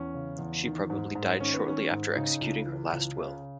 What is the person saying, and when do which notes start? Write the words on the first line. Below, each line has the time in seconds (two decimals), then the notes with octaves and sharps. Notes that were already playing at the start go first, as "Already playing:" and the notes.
She probably died shortly after executing her last will.
Already playing: E2 E3 C#4
0.15 C#3
0.39 E2
0.65 D#3
0.90 G#2
1.15 G#2
1.40 D#3 C#4
1.54 B3
1.66 D#3 C#4
1.90 G#2
2.16 C#3 D#4
2.41 C#2
2.66 E3
2.92 C#2
3.17 C#3